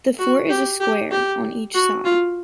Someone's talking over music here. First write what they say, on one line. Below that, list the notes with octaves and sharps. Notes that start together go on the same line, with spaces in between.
The fort is a square, on each side.
F#4
G4
G4
G4
F#4
F4